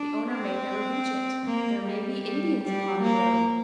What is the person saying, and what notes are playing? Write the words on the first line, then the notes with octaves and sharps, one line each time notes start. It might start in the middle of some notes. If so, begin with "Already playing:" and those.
The owner may never reach it. There may be Indians upon the road!
Already playing: D4
C4
A#3
G3
G3
G3
A#3